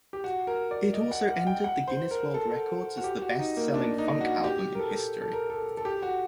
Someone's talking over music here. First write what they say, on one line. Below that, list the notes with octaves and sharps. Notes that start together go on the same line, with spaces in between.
It also entered the Guinness World Records as the best-selling funk album in history.
G4
F#4
A#4
D5
D#5
F#5
F#5
G5
F#5
C5
A#4
A4
F#4
G4
F#4
D#4
A#3
D4
D#4
F#4
G4
A#4
A4
A4
A#4
A4
A4
G4
F#4